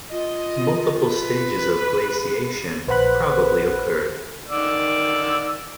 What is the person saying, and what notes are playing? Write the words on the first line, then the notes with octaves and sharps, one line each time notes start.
Multiple stages of glaciation probably occurred.
F4 D#5
B4
A#1 B4 C5 F#5 B5 F#6
D#3 D5 E6